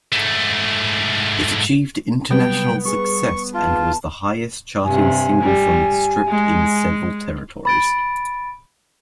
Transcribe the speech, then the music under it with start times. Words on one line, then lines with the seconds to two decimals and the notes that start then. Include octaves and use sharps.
It achieved international success and was the highest-charting single from "Stripped" in several territories.
0.12 G#2 A3
2.31 C3 F#3 G3 B3 G5
2.85 G3 G#4 C#6
3.54 F4 A5
4.84 G2 C3 G#5
5.41 G3
6.28 G#3
7.65 B5 A6 D7